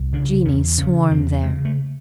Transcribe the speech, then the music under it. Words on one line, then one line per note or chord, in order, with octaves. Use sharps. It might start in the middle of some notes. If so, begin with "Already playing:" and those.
Genii swarm there.
Already playing: C2
C#3 D4
E2 C#4
C#3 C#4
E2 C4
C#3 G#3
A3